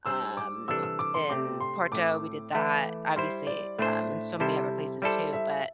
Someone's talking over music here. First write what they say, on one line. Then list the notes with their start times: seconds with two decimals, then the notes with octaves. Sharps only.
um, in Porto, we did that, obviously, um, in so many other places too, but
0.06 G3 D4 C5 E6
0.37 D6
0.68 C3 E3 G3 D4 A4 E6
0.83 E6
0.99 D6
1.14 C6
1.29 C3 A3 C4 G4 D5 D6
1.60 C6
1.92 A2 A3 C4 D6
2.55 E3 A3 E4
3.16 G3 E4 C5 C6
3.47 D5
3.78 A2 A3 D4 C5 E5
4.40 C3 G3 E4 A4 C5
5.02 G3 E4 A4 C5 D5
5.33 E5